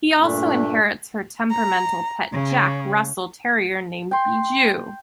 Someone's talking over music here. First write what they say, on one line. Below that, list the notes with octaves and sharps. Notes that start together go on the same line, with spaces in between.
He also inherits her temperamental pet Jack Russell terrier named Bijoux.
G2 A#2 A3 D4
A#5
C#3
G5 C6